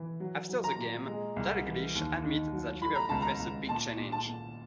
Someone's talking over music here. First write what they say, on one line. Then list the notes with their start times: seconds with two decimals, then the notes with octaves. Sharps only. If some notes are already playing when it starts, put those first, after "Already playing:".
After the game, Dalglish admitted that Liverpool faced "a big challenge".
Already playing: E3
0.20 F#3
0.49 F#3
0.64 A#5
0.79 A#2
1.08 G#3
1.36 C2
1.66 E3
1.95 D#2
2.24 D#3
2.52 F#3
2.81 A3 B5
2.95 A#5
3.09 C#2 A5
3.22 A#5
3.40 C#2
3.69 A#2 A5
3.98 A#2
4.12 A5
4.27 A#2